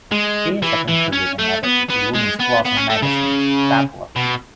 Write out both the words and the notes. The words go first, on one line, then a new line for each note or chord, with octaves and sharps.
She is a contributing editor to the women's glossy magazine "Tatler".
G#3
E3
E3
C#4
A3
B3
B3
G#3
B3
B3
C#4
A3
C#3
B2